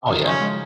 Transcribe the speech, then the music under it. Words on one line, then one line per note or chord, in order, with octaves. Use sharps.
Oh yeah.
D#3 F#3
C#3 F3 C#4
F3 G#3